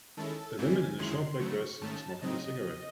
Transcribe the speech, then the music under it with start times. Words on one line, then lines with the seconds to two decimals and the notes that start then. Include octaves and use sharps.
A woman in a short black dress smoking a cigarette.
0.17 D#3 G#3 C#4 E4 A4
0.57 G#2 E3 A3 C4 E4 G#5
0.99 F#2 D#3 G#3 C#4 E4 C6
1.39 C#3 F#3 A3 C#6
1.81 G#2 D#3 A3 C#4 A5
2.21 C#3 F#3 C4 D#4 D#5